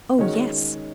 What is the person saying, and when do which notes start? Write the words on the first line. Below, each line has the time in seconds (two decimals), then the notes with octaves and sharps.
"Oh, yes."
0.19 D#3 G#3 C#4 F#4 C#5